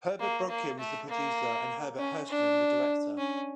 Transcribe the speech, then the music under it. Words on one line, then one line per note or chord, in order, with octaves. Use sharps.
Herbert Brodkin was the producer and Herbert Hirschman the director.
A#3
A#3
A3
A#3
C#4
D4
C#4